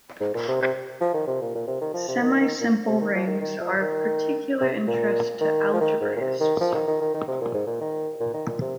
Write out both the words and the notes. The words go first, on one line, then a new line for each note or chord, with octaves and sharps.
Semisimple rings are of particular interest to algebraists.
G#2
A#2
C3
C3
F3
D#3
C3
A#2
A#2
C3
D#3
F3
C3
D#3
D#3
A#2
C3
D#3
F3
D#3
D#3
F3
D#3
C3
A#2
D#3
F3
D#3
G#2
A#2
C3
D#3
F3
D#3
D#3
D#3
D#3
C3
A#2
G#2
A#2
D#3
A#2
D#3
A#2
C3